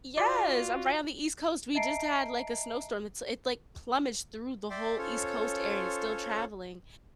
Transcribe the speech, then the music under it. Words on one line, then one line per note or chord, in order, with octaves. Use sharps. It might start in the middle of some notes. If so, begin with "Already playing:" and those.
Yes, I'm right on the East Coast, we just had, like, a snowstorm, it's it, like, plumaged through the whole East Coast area and it's still traveling,
F4 F#4 D5
D#5 E5 A5 A#5 C7 D7
D5 E5 G5 C6
C#4 F4 A4 C5 C#5